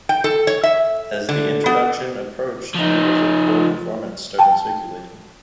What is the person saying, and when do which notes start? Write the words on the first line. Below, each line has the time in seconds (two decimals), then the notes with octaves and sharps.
As the introduction approached, rumors of poor performance started circulating.
0.09 G5
0.24 A4
0.47 C#5
0.63 E5
1.29 D3
1.66 B3
2.74 F3 D#4
4.39 G5 A5